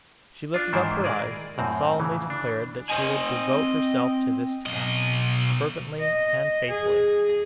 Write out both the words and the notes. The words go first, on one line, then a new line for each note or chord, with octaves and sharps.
She lifted up her eyes, and solemnly declared that she would devote herself to this task, fervently and faithfully.
D4 F4
G#2 D#3 E3 E4 C5
G#4 A#4 D5
F#2 A2 C4
C#3 E3
D4
C4 D#5 G#5
B1 D#5
D#5
G#4